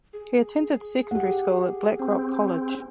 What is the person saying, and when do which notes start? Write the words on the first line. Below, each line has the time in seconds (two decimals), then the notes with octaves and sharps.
He attended secondary school at Blackrock College.
0.13 G#4
1.11 G4 F#5
1.99 C4